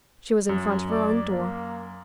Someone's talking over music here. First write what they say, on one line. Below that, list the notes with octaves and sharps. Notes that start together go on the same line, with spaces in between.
She was in front of her own door.
F#2
D5
A#3